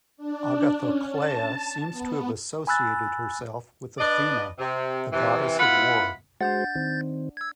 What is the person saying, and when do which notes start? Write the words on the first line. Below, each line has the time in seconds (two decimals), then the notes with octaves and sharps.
Agathokleia seems to have associated herself with Athena, the goddess of war.
0.17 D4
0.77 C#4
1.10 A5
1.91 B3
2.67 G#5 B5 E6 F#6 A6
3.99 D4 B4 D5 D#5
4.59 C3
5.12 C3 E3
5.58 B2 E4 F4 F#5 B5
6.41 G#3 D4 F#4 C5 F#5 G6 A6
6.76 D#3 C4
7.37 E6 G#6